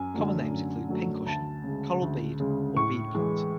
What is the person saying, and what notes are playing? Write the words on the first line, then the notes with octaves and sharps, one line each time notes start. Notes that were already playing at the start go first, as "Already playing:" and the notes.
Common names include pincushion, coral bead or bead plant.
Already playing: F#2 G#5
D3 F#3 A3
F#2
D3 F#3 A3
D2 A5
C#3 G#3
D2
C#3 G#3
A2 C#6
E3 G#3